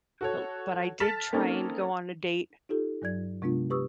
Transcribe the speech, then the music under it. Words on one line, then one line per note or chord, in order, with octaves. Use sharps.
But l but I did try and go on a date,
F#4 A4 C#5
A4 A5 F6 A6 B6 E7
A#3 C4 C#4 D#4 A4
D#4 F4 G4 A4
G2 F#3 D5 G#6
C3 G#3 B3 D4 F4
G4 B4 C#6 D#6 E6